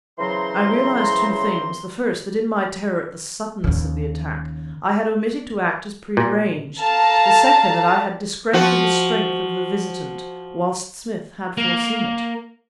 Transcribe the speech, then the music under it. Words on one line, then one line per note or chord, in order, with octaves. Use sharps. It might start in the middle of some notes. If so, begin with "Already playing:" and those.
I realized two things: the first, that in my terror at the suddenness of the attack I had omitted to act as pre-arranged: the second, that I had discredited the strength of the visitant, whilst Smith had foreseen it.
C#3 E3 F#3 C5 A#5 C6
D#2 C#3
A#2
A4 F5 A5 A#5
F3 F#4
A#3